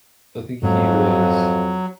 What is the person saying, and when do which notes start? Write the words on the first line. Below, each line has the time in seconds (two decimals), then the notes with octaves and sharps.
I think he was
0.63 F2 G#2 F#3 C#4